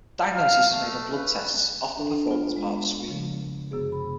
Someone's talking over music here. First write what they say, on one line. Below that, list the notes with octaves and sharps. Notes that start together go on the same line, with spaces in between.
The diagnosis is made on blood tests, often performed as part of screening.
F5
A3
B4
D4 A4
B3 F4
G#3
C#3 F3
F#2 C3 B3 G#4
B5